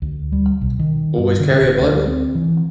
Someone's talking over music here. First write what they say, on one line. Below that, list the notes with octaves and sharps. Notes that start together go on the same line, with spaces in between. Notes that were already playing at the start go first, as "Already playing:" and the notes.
Always carry a bible?
D2
G3
B1
D#3
G2
D3
D1
D2
C4
E3